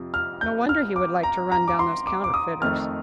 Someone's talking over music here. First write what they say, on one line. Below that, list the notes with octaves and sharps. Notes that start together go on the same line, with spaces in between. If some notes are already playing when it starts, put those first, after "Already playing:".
No wonder he would like to run down those counterfeiters.
Already playing: F2 C3 F3
F6
G6
F6
D6
A#5
A#5
D6
C6
D6
D6
D#6
F2 D#3 A3 F6